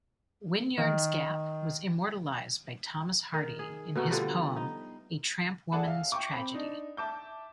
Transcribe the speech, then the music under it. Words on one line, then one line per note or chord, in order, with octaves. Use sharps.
Winyards Gap was immortalised by Thomas Hardy in his poem A Trampwoman's Tragedy.
D#3
D#3
G#4
B2 A3 B3 D#4
D3 F3 G3 B3
D#4
G#4 A4 D5 F#5 G#5 A5
E5 F5
G5 C#6 D6
C4 B5
D4 D#4
E5 A5 D6 G6